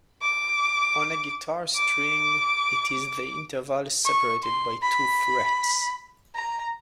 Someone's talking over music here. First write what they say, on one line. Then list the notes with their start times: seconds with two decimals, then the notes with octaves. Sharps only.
On a guitar string, it is the interval separated by two frets.
0.22 D6
1.76 D6
4.05 C#6
4.44 C6
4.82 B5
6.35 A#5